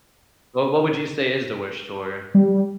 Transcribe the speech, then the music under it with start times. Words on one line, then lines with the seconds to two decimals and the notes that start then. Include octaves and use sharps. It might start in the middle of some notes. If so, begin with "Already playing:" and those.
Well, what would you say is the worst chore?
2.34 G3